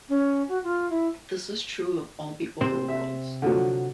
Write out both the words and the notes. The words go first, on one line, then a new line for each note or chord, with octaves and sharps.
This is true of all the overworlds.
C#4
F#4
F4
E4
C3 C4 C5
E5
D3 F3 F#3